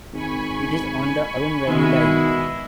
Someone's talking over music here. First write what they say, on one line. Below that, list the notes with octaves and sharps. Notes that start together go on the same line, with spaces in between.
It is on the Arun Valley Line.
G#1 G#5 B5 C#6
B2 D#3 G#3 E4